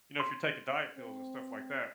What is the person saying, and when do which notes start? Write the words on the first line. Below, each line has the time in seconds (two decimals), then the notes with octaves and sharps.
you know, if you're taking diet pills and stuff like that.
0.20 C6
0.97 C4